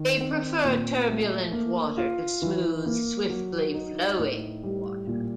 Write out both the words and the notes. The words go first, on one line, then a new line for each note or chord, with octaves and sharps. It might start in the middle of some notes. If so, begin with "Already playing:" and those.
They prefer turbulent water to smooth, swiftly flowing water.
Already playing: D#3
C4
A#2
A3
A#3
F4
E3
A#3
F#3
D#4
A2
G3
A#2